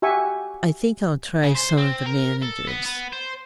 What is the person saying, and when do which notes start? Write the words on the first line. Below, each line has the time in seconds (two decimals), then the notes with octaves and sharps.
"I think I'll try some of the managers."
0.02 F#4 G4 E5 G#5 C#6
1.43 C#3
1.55 C5
1.77 C4
2.06 A#4
2.42 A4
2.67 B3
2.86 B3
3.12 C5